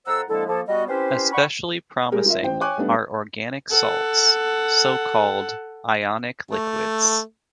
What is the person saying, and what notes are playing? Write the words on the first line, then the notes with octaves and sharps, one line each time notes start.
Especially promising are organic salts, so called ionic liquids.
F2 A4 C5 F#5 A#5 E6
D3 F3 G#3 A#3 E4 A4
F3 A#3 A4
G3 B3 F#4 D#5
C4 C#4 E4 G4 B4 C5
D5 F#5 G5 B5 C#6
G3 G#3 G4 G#4 A#4
F4 A#4 E5
A1 C5 G5
C#5 G5 G#5 C#6 D6 F#6
G3 A3 B3 D4
A4 F#5
A3